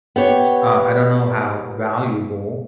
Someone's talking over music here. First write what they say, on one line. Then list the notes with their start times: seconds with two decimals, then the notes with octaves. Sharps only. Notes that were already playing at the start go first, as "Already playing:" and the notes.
s uh, I don't know how valuable,
0.16 B3 G4 C#5